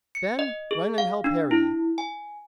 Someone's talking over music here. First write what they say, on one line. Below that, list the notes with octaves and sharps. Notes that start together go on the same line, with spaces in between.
Ben, run and help Harry.
C#7
D#5
G#4
F5
D4
E4
G#5